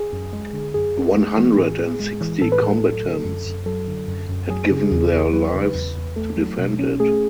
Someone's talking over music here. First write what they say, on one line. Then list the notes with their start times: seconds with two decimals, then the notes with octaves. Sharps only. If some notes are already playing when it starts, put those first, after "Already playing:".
One hundred and sixty combatants had given their lives to defend it.
Already playing: G#4
0.13 F#2
0.33 G#3
0.53 D3
0.74 F#2 G#4
0.96 F#2
1.17 G#3
1.37 E3
1.58 A2 G#4
1.78 A2
2.00 G#3
2.21 E3
2.41 A2 A4
2.52 B4
2.62 A2 A4
2.84 F#3
3.04 D3
3.24 F#2
3.46 F#2
3.66 F#3 A4
3.87 D3
4.08 F#2
4.29 F#2
4.50 F#3 G#4
4.70 C#3
4.91 E2
5.12 E2
5.33 F#3 B4
5.54 C#3
5.75 E2
5.96 E2
6.16 A3 A4
6.37 F#3
6.58 B2
6.79 C#4
7.00 A3 G#4